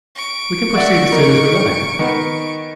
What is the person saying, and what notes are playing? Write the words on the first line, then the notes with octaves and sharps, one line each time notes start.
We can proceed as soon as we like.
C#6 D7
F#4 D5 E5
A#3 D#4
D#3 B3